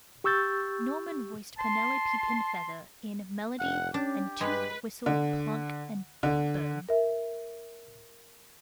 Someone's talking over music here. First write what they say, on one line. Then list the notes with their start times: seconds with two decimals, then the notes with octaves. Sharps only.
Norman voiced Penelope Pinfeather in "Melody" and "Toot, Whistle, Plunk and Boom".
0.24 G4 C#6 E6 G6 A6
1.58 A5 C6
3.59 F1 F#5
3.94 C#4 D4 G4
4.41 G2 G#3 B4
5.06 D3
6.23 D3
6.89 A#4 E5